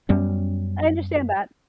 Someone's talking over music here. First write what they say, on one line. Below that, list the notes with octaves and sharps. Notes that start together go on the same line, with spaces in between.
I understand that.
F#2 G3 B3 C#4